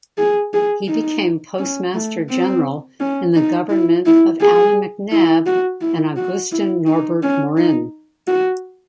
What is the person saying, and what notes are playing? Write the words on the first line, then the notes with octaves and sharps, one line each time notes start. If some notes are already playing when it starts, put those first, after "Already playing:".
He became Postmaster General in the government of Allan MacNab and Augustin-Norbert Morin.
G#4
G#4
D#4
C#4
A3
C4
C#4
D#4
E4
E4
G#4
E4
F#4
E4
F#4
E4
D#4
C#4
D#4
F#4